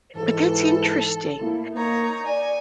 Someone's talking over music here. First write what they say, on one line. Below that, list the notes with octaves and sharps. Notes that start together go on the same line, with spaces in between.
but that's interesting.
G#2 E3 A4
A2 A#3 E4
A#3 D#4 C#5 A#5
D5 G#5